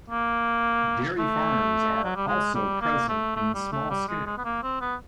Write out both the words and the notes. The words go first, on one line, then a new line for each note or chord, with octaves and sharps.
Dairy farms are also present in small scale.
A#3
A3
F#3
G3
G#3
G3
A#3
A3
A3
G3
A3
G3
G#3
G#3
B3
A#3
C4
B3